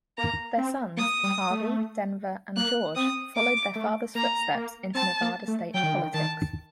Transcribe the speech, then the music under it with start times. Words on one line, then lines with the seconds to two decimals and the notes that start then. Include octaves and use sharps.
Their sons Harvey, Denver, and George followed their father's footsteps into Nevada state politics.
0.18 A#3 A#5
0.58 C4
0.97 A#3 D#6
1.23 G3
1.50 A3
2.56 A#3 F#6
2.96 C4 D#6
3.36 A#3 D6
3.75 A3
4.15 A#3 A#5
4.55 A#3
4.95 C4 A5
5.21 A#3
5.48 A3
5.74 F#3 G5
5.83 D#3
5.93 D3
6.02 D#3
6.14 D#3 A5